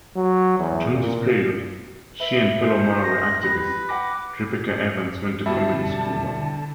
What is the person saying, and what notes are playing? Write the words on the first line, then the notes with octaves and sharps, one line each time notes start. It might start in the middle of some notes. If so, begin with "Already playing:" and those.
During this period she and fellow Maori activist Ripeka Evans went to Communist Cuba.
F#3
E2
A#2
B4 E5
C5 A5
A#6
G3 B4
F#5 G5 D6 A#6
B2 D3 G3 E4 A5